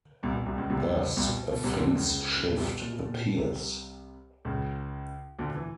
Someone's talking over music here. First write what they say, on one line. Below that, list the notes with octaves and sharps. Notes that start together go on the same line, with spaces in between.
Thus, a phase-shift appears.
C2 C3
B2
C2 C3
C#2 C#3
C2 C3
C2 C3
B2
B2
C2 C3
C#3
D2 D3
C#2 C#3
B2
C2 C3
B2
A#2
B2
A#2
B2
C2 C3
C#2 C#3
D2 D3
E3